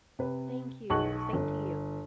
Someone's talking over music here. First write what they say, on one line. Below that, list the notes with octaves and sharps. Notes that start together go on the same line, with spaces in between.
Thank you, same to you.
C3 B4
B1 G#4 A5 C#6 F#6 F#7
G1